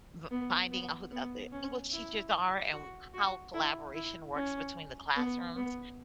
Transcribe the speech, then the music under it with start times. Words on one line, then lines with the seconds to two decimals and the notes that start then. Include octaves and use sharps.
v finding out who the other English teachers are and how collaboration works between the classrooms.
0.31 B3
0.71 B3
1.12 B3
1.53 C#4
1.92 E4
2.73 F#4
3.14 F#4
3.54 E4
3.95 E4
4.35 C#4
5.16 B3
5.56 B3